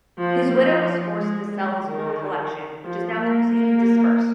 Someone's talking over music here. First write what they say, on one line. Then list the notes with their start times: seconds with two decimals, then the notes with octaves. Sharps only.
His widow was forced to sell his whole collection, which is now completely dispersed.
0.18 F3
0.51 F3
1.18 G#3
1.51 G#3
1.85 D#3
2.84 F3
3.17 A#3
3.51 A#3